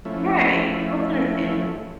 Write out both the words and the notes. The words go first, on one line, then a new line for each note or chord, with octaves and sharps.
Right, that's understandable.
F3 A3 C#4 E4